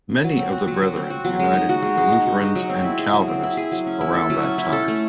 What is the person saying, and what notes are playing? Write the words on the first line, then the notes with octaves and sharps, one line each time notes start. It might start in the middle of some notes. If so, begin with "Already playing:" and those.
Many of the Brethren united with the Lutherans and Calvinists around that time.
F#3
C4
F#4
F#3
F#3
C4
F#4
F#3
G#3
D#4
F#4
G#3
G#3
D#4
F#4
G#3
F#3
C4
E4
G#4
F#3
C4
E4
G#4
F#3
C#4
E4
A4
F#3
C#4
E4
A4
A3